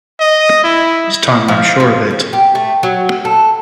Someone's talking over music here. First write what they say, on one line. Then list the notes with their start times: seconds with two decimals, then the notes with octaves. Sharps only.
This time I'm sure of it!
0.20 D#5
0.64 E4
1.48 F3
1.80 F3
2.10 C#4
2.33 G4
2.55 A3
2.83 F#3
3.25 A4